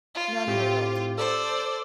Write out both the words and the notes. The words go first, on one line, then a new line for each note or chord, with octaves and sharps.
None were built.
F4
A2 C4 G4
A4 C5 D5 E6